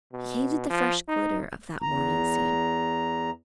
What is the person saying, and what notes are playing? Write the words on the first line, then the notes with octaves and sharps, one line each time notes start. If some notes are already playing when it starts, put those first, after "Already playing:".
He hated the fresh glitter of that morning scene.
B2
F3
D#4
E2 A#5